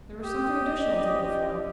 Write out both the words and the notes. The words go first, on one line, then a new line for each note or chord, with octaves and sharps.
There was something additional to look for.
G4 D#6
C#4 D5 D#5